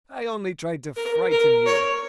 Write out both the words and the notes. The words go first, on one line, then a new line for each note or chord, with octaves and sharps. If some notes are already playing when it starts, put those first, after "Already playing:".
I only tried to frighten you.
A#4
A#4
C#5